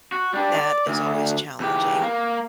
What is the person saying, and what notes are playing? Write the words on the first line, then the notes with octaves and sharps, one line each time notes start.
that is always challenging,
F#4
G3 D4
D5
D2
E2 G4
A#3